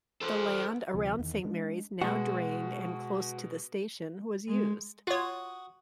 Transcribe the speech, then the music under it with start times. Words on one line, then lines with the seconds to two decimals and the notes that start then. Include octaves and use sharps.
The land around Saint Mary's, now drained and close to the station was used.
0.21 A4 C5
0.94 D2 C3 F3
1.19 E2 D#3
1.45 G#3 D4
2.02 B2 G#3 F#4
4.49 G#3
5.07 F4 F#4 C#5 D#6